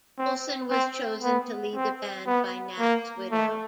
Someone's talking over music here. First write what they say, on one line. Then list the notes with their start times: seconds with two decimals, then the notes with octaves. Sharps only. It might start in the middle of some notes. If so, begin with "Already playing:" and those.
Olsen was chosen to lead the band by Knapp's widow.
0.18 C4
0.70 C4
1.22 B3
1.75 C4
2.26 B3
2.79 A#3
3.31 A3